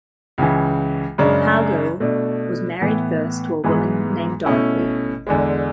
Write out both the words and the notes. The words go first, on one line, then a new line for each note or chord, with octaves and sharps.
Howgill was married first to a woman named Dorothy.
C#2 C#3 E3
F#2 C#3 G#3 D4
B2 A3 D4
A2 E3 B3
G#2 E3 G#3 B3
B2 A3 C#4 E4
E2 D3 G#3